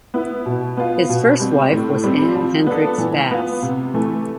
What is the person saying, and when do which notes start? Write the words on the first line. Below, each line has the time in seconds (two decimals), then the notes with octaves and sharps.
His first wife was Anne Hendricks Bass.
0.14 B3 E4
0.46 B2
0.77 B3 F4
1.09 B2
1.40 G3 C4
1.71 A2
2.04 G3 C4
2.35 F3
2.67 B3 D4 A4
2.98 E3
3.31 B3 F4
3.62 C3
3.94 E3 A3